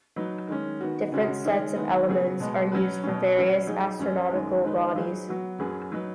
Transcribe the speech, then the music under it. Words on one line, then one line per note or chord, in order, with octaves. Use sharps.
Different sets of elements are used for various astronomical bodies.
F#3 D#4 B4
D#3 G#3 C#4
D#3 B3 F#4
C#3 G#3 C#4 F#4
D#3 G#3 C#4 G#4
D#3 G#3 B3
C#3 F#3 B3 G#4
B2 G#3 B3
F#3 C#4 F#4 B4
B2 F#3 C#4
F#3 C#4 F#4 B4
F#3 D#4 G#4
F#2 F#3 C#4
F#2 D#3 G#3
D#3 G#3 D#4 B4
F#3 D#4 G#4 B4
F#3 B3 F#4
F#2 F#3 C#4 G#4 B4
F#3 D#4 B4